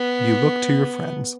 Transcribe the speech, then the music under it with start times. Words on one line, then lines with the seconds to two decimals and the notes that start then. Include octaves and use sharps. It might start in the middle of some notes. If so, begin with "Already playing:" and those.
You look to your friends.
Already playing: B3